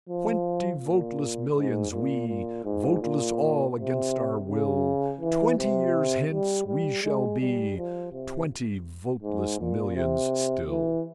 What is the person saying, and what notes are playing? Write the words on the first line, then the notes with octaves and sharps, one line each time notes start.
"Twenty voteless millions we, Voteless all against our will, Twenty years hence we shall be Twenty voteless millions still."
F3
A#2
G#2
A#2
A#2
G#2
A#2
C3
C#3
E3
C3
G3
G3
G#3
G3
F3
C3
G#2
A#2
C3
E3